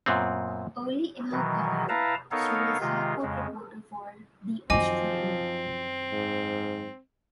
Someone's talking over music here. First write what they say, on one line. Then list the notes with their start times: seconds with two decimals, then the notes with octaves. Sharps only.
Early in her career she was High Court reporter for "The Australian".
0.06 F#2 A#2 B3 C4
1.32 B2 D#3 E3 F#3
1.89 E4 B4 F5 A5 A#5
2.31 B3 D#4 A4 A#4 C#5 F5
2.81 C3 D#3 G#3 F4
3.22 F2 C#3 G#3
4.70 F#2 D#3 F3 C4 D#5 G#5 D6
6.12 G#2